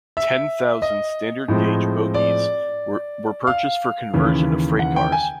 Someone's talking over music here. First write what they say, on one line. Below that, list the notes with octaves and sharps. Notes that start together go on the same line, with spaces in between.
Ten thousand standard gauge bogies were purchased for conversion of freight cars.
E5
D#5
A2 F3 G#3 C4
D5
F5
D#2 C#3 E3
F#5
G5
G#5